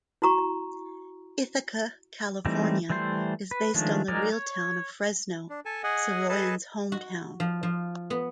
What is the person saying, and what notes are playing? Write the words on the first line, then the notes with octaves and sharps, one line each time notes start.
Ithaca, California is based on the real town of Fresno, Saroyan's home-town.
E4 F#4 A#5 C#6
E3 G3 A3 C4 D#4
E3 G3 A3 C5 C6
B4
D#3 F3 G#3 A3 D4
F#3 G#3 D#4 A#4 D5
C#5
D4
A4 G#5 A5
G#4 D#5 F#5 G#5
G#4 A4 B4 D#5 A5
F#4
F3
F3
B3